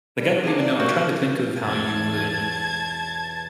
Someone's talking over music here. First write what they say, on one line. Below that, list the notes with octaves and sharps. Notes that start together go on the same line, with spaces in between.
Like, I don't even know. I'm trying to think of how you would
G3
C3 A#3 D4 G#4
D5
A#3 F#4 G4
B1 E2 A5 G#6